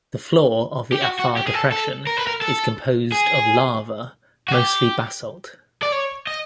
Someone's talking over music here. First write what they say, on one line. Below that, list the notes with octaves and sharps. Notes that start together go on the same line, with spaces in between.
The floor of the Afar Depression is composed of lava, mostly basalt.
G4
F#4
F#4
G4
G#4
A4
A4
A#4
B4
A#4
A4
G#4
F#4
G4
D5
C#5
D#5